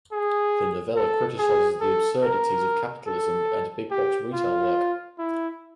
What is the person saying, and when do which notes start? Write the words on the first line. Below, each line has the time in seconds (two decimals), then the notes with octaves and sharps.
The novella criticizes the absurdities of capitalism and big box retail work.
0.12 G#4
0.96 A4
1.38 G#4
1.81 A4
2.23 A#4
3.07 A4
3.91 G4
4.33 F4
5.19 E4